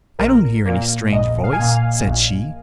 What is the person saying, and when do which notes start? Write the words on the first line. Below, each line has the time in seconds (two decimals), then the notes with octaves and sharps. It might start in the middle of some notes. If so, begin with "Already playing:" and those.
"I don't hear any strange voice," said she.
0.19 A#1 A#4
0.65 A#2 A#3
1.13 A#1 D#5
1.44 F5
1.53 G#5
1.59 A#2 A#3 F5
1.75 F5
2.06 A#1